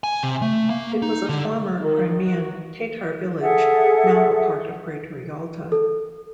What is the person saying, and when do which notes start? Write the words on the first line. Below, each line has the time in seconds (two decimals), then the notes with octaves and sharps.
It was a former Crimean Tatar village, now a part of Greater Yalta.
0.04 G#5
0.23 C3
0.42 A3
0.70 A#3
1.02 D#4
1.29 D3
1.78 D#3
2.19 F#4
3.41 G#4 A4 E5 F#5
5.72 A4